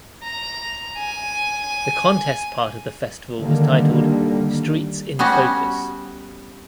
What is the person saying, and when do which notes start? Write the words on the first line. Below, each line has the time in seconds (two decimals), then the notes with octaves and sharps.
The contest part of the festival was titled "Streets in Focus".
0.23 A#5
0.98 G#5
3.40 D3 D#3 G3 A#3
5.19 G3 B3 C#4 F#4